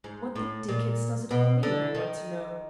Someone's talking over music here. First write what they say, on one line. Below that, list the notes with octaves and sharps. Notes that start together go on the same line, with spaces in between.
What the dickens does it all mean, I want to know?
G#2
A2
A#2
B2
D3
D#3